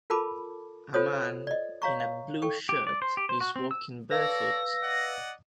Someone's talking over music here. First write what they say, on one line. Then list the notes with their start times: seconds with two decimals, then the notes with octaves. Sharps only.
A man in a blue shirt is walking barefoot.
0.10 F4 A4 A#4 A5 B5 D6
0.94 F4 A4 C5 C#5 D#6
1.47 D5 D#5
1.82 C#5 F5 A#5 C#6
2.00 F5
2.42 A4 G5 C#6
2.69 G4
2.87 D5
3.02 C5
3.17 G4
3.29 C5
3.41 F#4
3.56 C4
3.71 E6
4.11 A4 B4 C#5 D5 F5 E6 A#6
4.81 D5 D#5 F#5